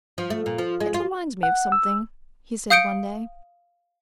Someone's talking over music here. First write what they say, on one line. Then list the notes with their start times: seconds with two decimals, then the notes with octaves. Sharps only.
"It reminds me of something," he said one day.
0.18 F3
0.30 A3
0.46 A#2
0.58 F3
0.80 G#3
0.94 F4
1.43 F#5
1.72 E6
2.70 F5 D#6 G6 C#7 D7